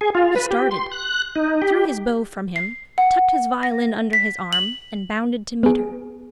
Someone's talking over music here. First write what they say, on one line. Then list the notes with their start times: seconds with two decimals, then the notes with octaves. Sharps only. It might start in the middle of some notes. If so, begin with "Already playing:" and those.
He started, threw his bow from him, tucked his violin under his arm, and bounded to meet her.
0.01 G#4
0.15 F4
0.36 B4
0.51 G4
0.71 C6
0.92 F#6
1.36 D#4
1.62 G4
2.56 C7
2.98 F#5
3.63 A#6
4.13 B6
4.53 F#7
5.63 B3 G#4